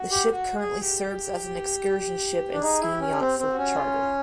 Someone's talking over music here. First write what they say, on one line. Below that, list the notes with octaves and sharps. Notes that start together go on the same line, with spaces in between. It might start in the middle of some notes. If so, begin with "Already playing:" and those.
The ship currently serves as an excursion ship and steam yacht for charter.
Already playing: F#4
G4
F#4
G#4
G4
D4
D#4 G#4
E4
G4
C#4
C4
C4
F#4
C#4
F4